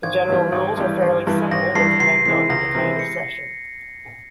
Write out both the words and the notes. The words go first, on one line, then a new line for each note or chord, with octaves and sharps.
The general rules are fairly simple, but depend on the kind of session.
G#1 G#6
G2 E3 G3
G#1
G2 E3 G3
G#1
G2 E3 G3
G#1 A#6
G2 E3 G3 C7
C#2 C7
C3 E3 G#3 E4 C7
C#2 A#6
C3 E3 G#3 E4
C#7